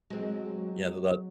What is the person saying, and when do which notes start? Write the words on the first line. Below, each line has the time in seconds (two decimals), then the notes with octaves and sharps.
Yeah, th that
0.10 F#3 G#3 C4
0.49 F#3